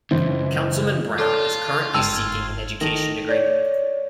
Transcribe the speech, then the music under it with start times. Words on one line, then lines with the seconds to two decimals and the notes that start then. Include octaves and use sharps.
Councilman Brown is currently seeking an education degree.
0.11 C#2 F#2 E3 C5
1.19 F4 A4 C#5 D5 A5
1.94 G1 G#2 G5 A5 E6 G#6
2.81 D#3 A4 A#6
3.29 C#5 D5